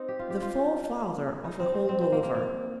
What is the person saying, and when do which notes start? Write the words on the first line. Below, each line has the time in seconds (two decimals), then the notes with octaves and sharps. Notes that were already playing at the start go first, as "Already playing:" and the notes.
The forefather of a hold-over.
Already playing: C4 D#4
0.08 G4
0.19 F4
0.30 G4
0.42 F4
1.44 D#4
1.60 C4
1.75 C4
1.89 C4
2.01 C4
2.12 A#3
2.23 A#3
2.34 A#3